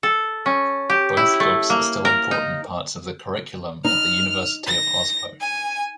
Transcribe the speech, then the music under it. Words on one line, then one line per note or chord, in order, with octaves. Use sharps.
Both books are still important parts of the curriculum at the University of Oslo.
A4
C#4
G4
E4
A3
A#3
A#4
D#4
D#4 F6
A#6
G#5